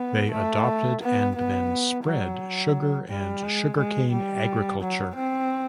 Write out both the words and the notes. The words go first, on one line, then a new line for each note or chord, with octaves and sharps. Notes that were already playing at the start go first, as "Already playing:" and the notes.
They adopted and then spread sugar and sugarcane agriculture.
Already playing: B3
A3
B3
B3
F#3
G3
G#3
G#3
G3
F#3
C4